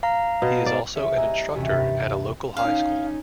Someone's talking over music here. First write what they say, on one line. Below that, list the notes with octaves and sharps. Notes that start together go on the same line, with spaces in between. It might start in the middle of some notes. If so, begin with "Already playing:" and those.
He is also an instructor at a local high school.
F5 A#5
B2
D5
C2 G#4 C#5 E5
D#5 G#5 A#5 E6 F#6 G6
A1 D#2 C3 F#4 E5 G#5
G2 C3 A6 B6
C#4 D#4 F5